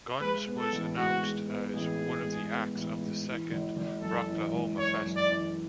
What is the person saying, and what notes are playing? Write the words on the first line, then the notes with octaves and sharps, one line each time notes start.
Guns was announced as one of the acts of the second Rocklahoma festival.
G#3 B4
B3
A4
A1
G#2 F#4
G#3
B3
A1 G#4
G#2
G#3
B3
A1
G#2
E3
G#1
G#1
F#2 A4
E3
G#1
G#1 C#5
F#2
D5
E3